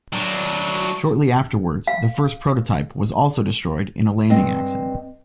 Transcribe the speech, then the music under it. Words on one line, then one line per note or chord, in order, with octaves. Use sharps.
Shortly afterwards, the first prototype was also destroyed in a landing accident.
F#3 D4
F5
G2 G#3 C4 D#5 F5